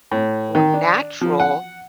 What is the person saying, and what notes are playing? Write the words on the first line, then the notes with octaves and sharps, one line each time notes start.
were natural
A2
D#3
D4
F3
F#5